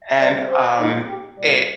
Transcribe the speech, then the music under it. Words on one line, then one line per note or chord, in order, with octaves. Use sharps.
and, um, it
C3 G3 D5
C5
F2 D#3 G#3 D#4
G4
A#2 G3 D5